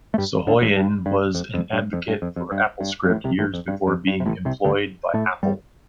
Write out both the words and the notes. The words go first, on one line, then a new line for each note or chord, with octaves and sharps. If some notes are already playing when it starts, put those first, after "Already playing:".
Soghoian was an advocate for AppleScript years before being employed by Apple.
A3
G2 G3
D2 D3
A1 A2
G2
G2
F2
F2
G2
F2
G2
F2
F2
G2
G2
G2
A1 A2
C2 C3
A1 A2
F2
G2
F2
G2
C3
A1 A2
C2 C3
D2 D3
A2 A3
G2 G3